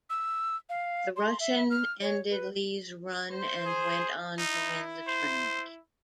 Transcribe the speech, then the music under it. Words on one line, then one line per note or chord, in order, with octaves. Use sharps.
The Russian ended Li's run and went on to win the tournament.
E6
F5
C6
E5
F6
C#5
B4
C5
G#4
D#4 E4
C5